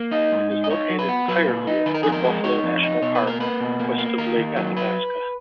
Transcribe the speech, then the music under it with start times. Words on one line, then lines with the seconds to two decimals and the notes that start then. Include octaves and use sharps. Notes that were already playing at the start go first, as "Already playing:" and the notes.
It is located entirely in Wood Buffalo National Park, west of Lake Athabasca.
Already playing: A#3
0.11 D#4 D#5
0.32 G#2
0.51 D#4
0.64 D#5
0.70 D#4 C#5
0.90 F#3
0.99 B4
1.09 B3
1.28 F#3 B4
1.47 A#2
1.67 D#4
1.86 D#3 B4
1.94 A#4
2.03 F2 G#4
2.12 A#4
2.25 G#3
2.44 D#4 C#5
2.63 F2
2.83 D#4
3.02 B2 C#5
3.15 B4
3.22 A#3
3.27 A#4
3.40 A#3 B4
3.61 B2
3.80 A#3
3.98 A#3
4.18 D#2 A#4
4.38 D#2
4.56 F#3
4.77 B4